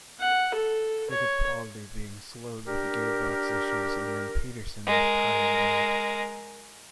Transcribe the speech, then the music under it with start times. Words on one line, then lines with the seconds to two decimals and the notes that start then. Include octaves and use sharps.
Fittipaldi being slowed with gearbox issues, and then Peterson with tyre wear.
0.20 F#5
0.54 A4
1.10 C#5
2.67 D4 G4 A#4
4.86 G#3 A#4